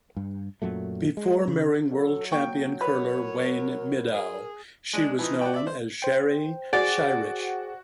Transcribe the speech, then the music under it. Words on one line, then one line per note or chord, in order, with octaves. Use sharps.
Before marrying world champion curler Wayne Middaugh, she was known as Sherry Scheirich.
G2
F#2 A#2 F#3 A3
G#3
C#3
F#3 A4
A#3 G5 C#6
A#4 B4 C#5 B5
G#4
G#3 D4
E3 F3 D#4
F#4 D5 G5
D5 E5
C5
C5 G5
F#4 G#4 D5